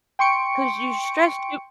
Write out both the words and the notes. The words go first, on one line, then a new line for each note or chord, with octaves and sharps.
'Cause you stress too
G5 C6 C#6 C#7 D7